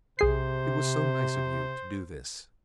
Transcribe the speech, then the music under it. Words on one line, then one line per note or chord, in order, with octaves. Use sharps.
It was so nice of you to do this.
B1 C3 G#4 C5 C7